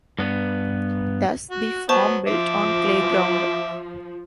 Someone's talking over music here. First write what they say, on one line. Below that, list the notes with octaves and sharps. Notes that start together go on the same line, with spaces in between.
Thus: "the farm built on clay ground".
G2 B3
F#4
F#3 B3 C5 A5 C#6
F3 E5 D6